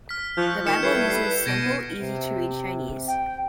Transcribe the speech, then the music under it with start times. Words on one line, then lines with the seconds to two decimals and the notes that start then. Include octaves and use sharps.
The Bible uses simple, easy to read Chinese.
0.09 F6 B6
0.37 F3 C#6 F#6 G6
0.66 D#3 C#6 F6 C#7 E7
0.83 G3 E4 A4 B4 G#6 C7
1.10 C7
1.46 B2 G#6 A#6 D7 D#7
2.01 C3
3.08 G5